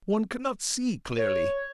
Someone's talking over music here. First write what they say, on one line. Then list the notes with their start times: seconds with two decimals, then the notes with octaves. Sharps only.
One cannot see clearly.
1.18 C#5